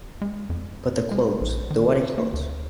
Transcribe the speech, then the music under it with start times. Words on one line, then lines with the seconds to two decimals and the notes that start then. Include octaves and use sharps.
But the clothes, the wedding clothes!
0.22 G#3
0.50 F2
1.11 G#3
1.41 A#1
1.71 D#3
2.18 A#3
2.34 D2